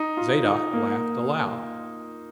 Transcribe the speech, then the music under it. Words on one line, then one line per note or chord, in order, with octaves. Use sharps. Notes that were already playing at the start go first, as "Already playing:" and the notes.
Zadok laughed aloud.
Already playing: D#4
F4
D#4
A#3